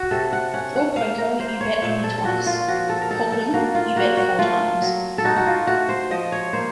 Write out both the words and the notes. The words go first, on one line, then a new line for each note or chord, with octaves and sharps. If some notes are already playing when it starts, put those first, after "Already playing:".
Draw poker, you bet only twice; hold 'em, you bet four times.
Already playing: F#4
C3 A4
F#5
C#4 F#5
F#5
A#3 F5
A#4
A#3 C5
C#5
A#2 C5
A4
A4
A#2 F#4
F4
F3 F#4
A4
A#4
D#4 A4
A4
A#3 F#4
F4
A#3 F#4
F#4
A3 F4
F#3
A4
D#4 F#4
F#4
F4
A3 F#4
C5
F3 D#5
C#5
A#3 C5